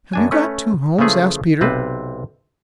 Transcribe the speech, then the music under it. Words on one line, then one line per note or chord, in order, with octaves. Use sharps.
"Have you got two homes?" asked Peter.
F#2 D4 G#5
A3 C#4 B4
C#3 E3 F3 A3 G#4
B1 C3 C4 B4